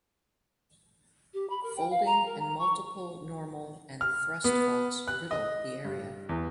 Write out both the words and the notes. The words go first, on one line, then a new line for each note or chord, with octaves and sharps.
Folding and multiple normal and thrust faults riddle the area.
G4
B5
A#4
G5
F5
A#5
A#4
A#5
C#6
F6
B3
F#6
D#5
G2
E2